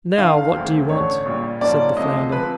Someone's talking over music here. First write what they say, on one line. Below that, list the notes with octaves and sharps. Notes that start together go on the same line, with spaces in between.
"Now, what do you want?" said the flounder.
G1 G2 D#3 F5
D2 C3 E3 A3 C4
A1 G2 D3 C#5
A#1 A#2 G3
G#2 F3 A#3 C#4 D5
D2 C3 F3 G#3 D#5
C3 F3 B4